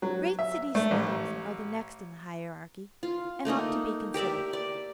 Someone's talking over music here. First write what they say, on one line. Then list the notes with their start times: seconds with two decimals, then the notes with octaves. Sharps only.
Great City Snobs are the next in the hierarchy, and ought to be considered.
0.02 F#3
0.39 E5
0.75 A3
0.91 A1
3.03 F4
3.45 A3 A#3 D#4 D#5
4.14 G4 A#4 D5 E5
4.53 D5